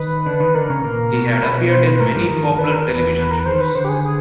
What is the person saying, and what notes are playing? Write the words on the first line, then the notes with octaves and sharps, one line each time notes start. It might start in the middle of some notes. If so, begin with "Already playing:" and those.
He had appeared in many popular television shows.
Already playing: D#3 D#4 B4
D3 D4
D#3 D#4
D3 D4 A#4
C#3 C#4
A#2 A#3
B2 B3
B2 B3 B4
C5
B4
A2 A3 A#4
G2 G3
D#3
D#3 B4
A#4
E2 E3 B4
B4
A#4
B4
D#3 C5
B4
D3 C5
G4
G#4
G#4